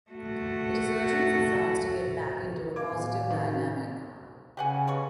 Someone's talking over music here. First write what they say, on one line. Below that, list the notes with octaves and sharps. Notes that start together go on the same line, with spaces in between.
It is urgent for France to get back into a positive dynamic.
A3 F#4
D#3 F5 D6 G#6
A2 B3 G#5
D#3
F#4
C#3 G4 F#5 G#5
B2 C#5 C#6